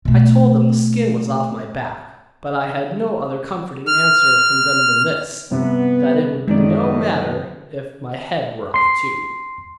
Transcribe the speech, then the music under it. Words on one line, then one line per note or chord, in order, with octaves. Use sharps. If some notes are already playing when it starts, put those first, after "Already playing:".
I told them the skin was off my back, but I had no other comforting answer from them than this: that it would be no matter if my head were off too.
B2 A3
F6
G2 C3 B3
F#1 F#2 A2 D#3 G#3 D5 D#5
C6 C7